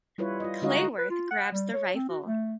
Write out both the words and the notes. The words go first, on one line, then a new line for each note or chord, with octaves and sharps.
Clayworth grabs the rifle.
G3 E4 F4 B4 C#5
F4 D#5
D3 G#3 D#4 F#4 D#5 F5
B4
F4
F#5
G3
C#5
C4
F#4
A3